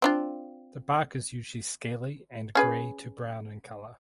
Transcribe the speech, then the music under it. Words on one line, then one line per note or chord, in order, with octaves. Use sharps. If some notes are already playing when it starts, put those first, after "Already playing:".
The bark is usually scaly and grey to brown in colour.
C4 D4 F4
C#4 G#4 B4